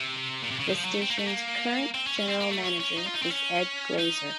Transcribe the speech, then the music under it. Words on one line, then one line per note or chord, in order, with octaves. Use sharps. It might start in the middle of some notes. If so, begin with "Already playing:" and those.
The station's current general manager is Ed Glazer.
Already playing: C3
A#2
C3
C#3
D#3
F3
F#3
A3
C4
A#3
A3
A#3
C4
C#4
C#4
C4
A#3
A3
C#4
C#4
D#4
F4
D#4
C4
C#4
D#4